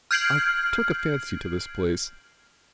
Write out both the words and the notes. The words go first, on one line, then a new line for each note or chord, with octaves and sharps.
I've took a fancy to this place.
F6 G6 G#6 C7 D7 F#7